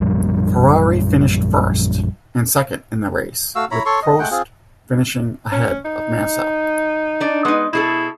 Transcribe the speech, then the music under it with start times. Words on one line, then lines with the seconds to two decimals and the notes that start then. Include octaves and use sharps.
Ferrari finished first and second in the race, with Prost finishing ahead of Mansell.
0.01 A#1 F#2 F3 G3
3.55 A3 F#4 F5 E6
3.71 E4 C#5 A#5 B5
3.86 A4 C#5 C6 C#6
4.03 D#5
4.19 G#3 A3 F#5 G5
4.31 C4 F4 G#4
5.52 C#4
5.85 D#4
7.20 D4 D5
7.45 G#3 B3 D#4
7.73 B2 E4 G#4 A4